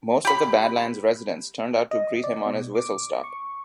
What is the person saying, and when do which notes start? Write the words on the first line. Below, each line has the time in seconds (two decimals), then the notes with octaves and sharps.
Most of the Badlands' residents turned out to greet him on his whistle stop.
0.25 G4 B5
1.91 D#5
2.24 D5
2.46 B2
2.75 D6
3.24 C#6